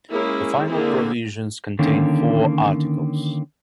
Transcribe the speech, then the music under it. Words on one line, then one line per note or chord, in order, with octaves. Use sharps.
The final provisions contain four Articles.
G#3 A#3 C#4 E4 G#4
D3 A#3 C4 E4 G#4
D3 D#3 A#3 C#4